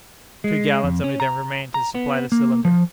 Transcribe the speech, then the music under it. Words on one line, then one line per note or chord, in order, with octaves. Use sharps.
Two gallons only then remained to supply the cylinder.
G#3
F2
C#4
A#5
A#5
B3
A#3
F3